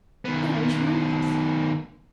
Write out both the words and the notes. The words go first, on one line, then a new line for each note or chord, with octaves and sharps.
Then I reached for my glass.
D#3 B3